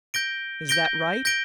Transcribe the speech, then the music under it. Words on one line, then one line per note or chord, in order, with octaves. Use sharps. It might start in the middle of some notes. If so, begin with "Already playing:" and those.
Is that right?
G6 A#6 D7 G7
G6 A#6 D7 G7
G6 A#6 D7 G7